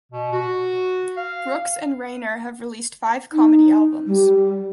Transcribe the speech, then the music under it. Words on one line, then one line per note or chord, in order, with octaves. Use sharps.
Brooks and Reiner have released five comedy albums.
B2
F#4
F5
D#4
G3